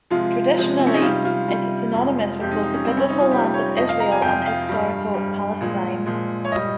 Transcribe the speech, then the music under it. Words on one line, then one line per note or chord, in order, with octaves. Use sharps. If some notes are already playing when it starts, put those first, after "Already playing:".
Traditionally, it is synonymous with both the biblical Land of Israel and historical Palestine.
C3 F3 G#3 F4
C3 F3 G#3
C4
C#4
D#4
C3 G3 F4
F4
C3 G3
F2 C3 F3 G#3
F2 C3 F3 G#3 G4
D#4
D#4
C#4
C3 G3 C4
C#4
D#4
F4
C3 G3 G4
C#5
F2 C3 F3 D#5
F5
A#5
G#5
F2 C3 F3 G5
F5
G2 G3
G2 G3
A#2 F3 G#3
A#2 F3 G#3
C#5
A#2 G3 D#5